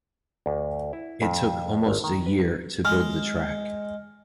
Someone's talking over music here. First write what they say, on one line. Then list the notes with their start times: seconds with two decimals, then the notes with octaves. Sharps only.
It took almost a year to build the track.
0.46 D2
0.93 E4
1.22 F2
1.87 G#1
2.04 D#3
2.26 B4
2.85 G#3 F6